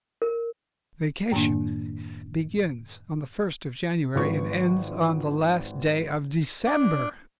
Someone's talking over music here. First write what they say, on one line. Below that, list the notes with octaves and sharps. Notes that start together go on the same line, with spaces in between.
Vacation begins on the first of January and ends on the last day of December.
A#4
F#2 A2 D#3 A#3 D4
G#1 F3 B4 C#6
D4